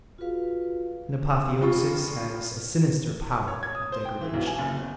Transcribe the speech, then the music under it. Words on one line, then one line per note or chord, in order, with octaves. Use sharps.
An apotheosis has a sinister power of degradation.
F4 F#4 G#4 B4 F5
F1 F3 F4 C#6
C#5
G#6
D#6
C5
G5
E3
B1
G#5
F#1
G1